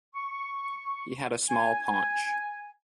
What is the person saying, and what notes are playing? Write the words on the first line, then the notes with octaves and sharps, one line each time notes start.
He had a small paunch.
C#6
G#5